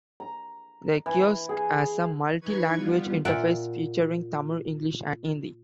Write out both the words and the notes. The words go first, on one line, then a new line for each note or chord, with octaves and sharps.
The kiosk has a multilanguage interface, featuring Tamil, English and Hindi.
A#5
E3
G#4
E3 D#4 B4 C#6 G#6
G3 B3 F4
A#2 E5 F#5 G5